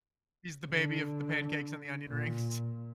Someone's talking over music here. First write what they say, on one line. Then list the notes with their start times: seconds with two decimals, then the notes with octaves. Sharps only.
She's the baby of the pancakes and the onion rings.
0.70 D3
2.07 A#2